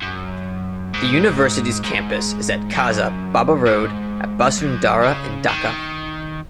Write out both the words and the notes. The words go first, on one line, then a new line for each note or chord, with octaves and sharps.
The university's campus is at khaza baba road at Basundhara in Dhaka.
F#2
G#2
G#2
F#2
G#2
F#2
C#3
D#3